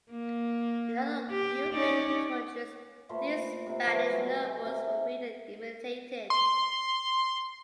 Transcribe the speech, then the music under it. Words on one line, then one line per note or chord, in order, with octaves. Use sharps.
In other European countries, these Spanish novels were read and imitated.
A#3
G4
C#4 D#4 D5
A#2 A3 C5 B5
C3
F3 A3 B3 D4
F#3 D#4 G#4
C3 G#4
C3 E5
C6